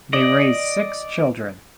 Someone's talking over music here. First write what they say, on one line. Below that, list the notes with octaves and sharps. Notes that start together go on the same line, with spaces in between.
They raised six children.
D5 D#5